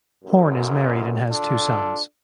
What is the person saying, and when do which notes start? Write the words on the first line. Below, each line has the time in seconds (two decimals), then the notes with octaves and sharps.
Horn is married and has two sons.
0.25 A1 F#2
1.30 D4 F4 A4